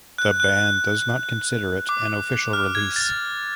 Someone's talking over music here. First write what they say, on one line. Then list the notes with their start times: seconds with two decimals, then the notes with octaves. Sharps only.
The band does not consider it an official release.
0.18 F#6
0.40 F#6
1.89 D6
2.53 F6
2.75 G#6
2.96 A6